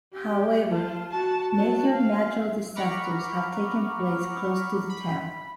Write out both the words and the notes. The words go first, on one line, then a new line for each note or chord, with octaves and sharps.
However, major natural disasters have taken place close to the town.
G4
F4 A5
F#4 A5
F#3 A5
F5
F#5 A#5 B5 C#6 D6 F6
B5